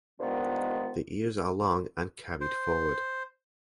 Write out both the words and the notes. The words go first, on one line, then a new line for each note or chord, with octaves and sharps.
The ears are long and carried forward.
G2 A#2 D#3 F3 G#3 B3
C5